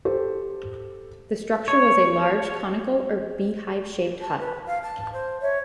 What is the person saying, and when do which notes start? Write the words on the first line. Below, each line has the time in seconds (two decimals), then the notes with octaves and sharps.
The structure was a large conical or beehive-shaped hut.
0.05 G4 A4 C5
1.68 C#5
4.21 A5
4.39 B4
4.66 F5
4.82 A5
5.13 C5
5.42 C#5 E5